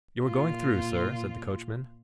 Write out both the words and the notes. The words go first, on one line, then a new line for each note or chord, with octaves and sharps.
'You are going through, sir?' said the coachman.
A#2 F4